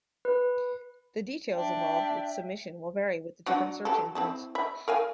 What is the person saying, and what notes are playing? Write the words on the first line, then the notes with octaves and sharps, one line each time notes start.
The details involved with submission will vary with the different search engines.
B4
D4 E5 G5
F#3 D4 F#4
F#3 G4 A4
C4 E4 A5
E5 B5
A#4 F5 G#5